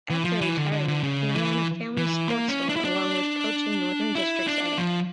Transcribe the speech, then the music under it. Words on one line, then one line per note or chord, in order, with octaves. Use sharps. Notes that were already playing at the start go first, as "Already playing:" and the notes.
After retirement he ran a family sports store along with coaching Northern Districts A.
E3
F3
E3
D3
D3
D3
C#3
E3
E3
A#3
C#4
D4
E4
D4
E4
D4
F3